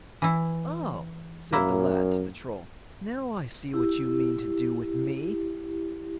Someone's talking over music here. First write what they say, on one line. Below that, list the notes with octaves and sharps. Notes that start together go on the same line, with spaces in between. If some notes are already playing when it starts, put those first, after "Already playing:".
'Oh!' said the lad to the Troll, 'now I see what you mean to do with me.
E3 E4
F#2 A#3 E4
E4 G4